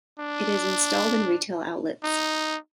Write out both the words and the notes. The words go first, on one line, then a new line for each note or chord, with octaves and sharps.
It is installed in retail outlets.
D4
D#4